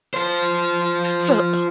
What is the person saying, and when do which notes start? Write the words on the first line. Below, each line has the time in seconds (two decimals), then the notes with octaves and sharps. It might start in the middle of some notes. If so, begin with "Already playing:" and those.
So, oh
0.14 F4 C5